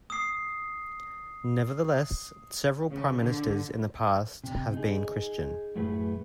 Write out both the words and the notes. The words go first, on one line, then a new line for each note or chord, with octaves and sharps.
Nevertheless, several Prime Ministers in the past have been Christian.
D#6 C7
C#3
D3
C3
D#4 G#4
F#2 A2 A3 G#4 B4